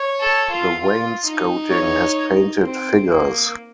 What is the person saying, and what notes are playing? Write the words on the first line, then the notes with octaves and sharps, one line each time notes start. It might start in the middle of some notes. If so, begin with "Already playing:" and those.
The wainscoting has painted figures.
Already playing: C#5
A4
F4
F4
D#4
C#5
C4
A#3